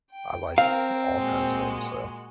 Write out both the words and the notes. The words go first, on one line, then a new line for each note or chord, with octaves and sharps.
I like all kinds of 'em, so,
G5
C4 A#4 F5
A#2 G#3 F#4